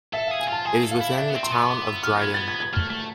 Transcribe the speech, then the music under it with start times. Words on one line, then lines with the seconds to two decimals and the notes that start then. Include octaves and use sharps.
It is within the Town of Dryden.
0.13 A4 E5
0.27 G#4 F5
0.40 G#5
0.48 F4 A5
0.65 G#4 G#5
0.83 A4
0.91 F5
1.00 E4
1.17 D4 E5
1.30 B3
1.35 C4
1.43 C6
1.52 B3
1.69 D6
1.86 E6
2.03 F6
2.21 G#6
2.34 A6
2.48 G#6
2.60 G#6
2.73 A3 F6
2.90 A3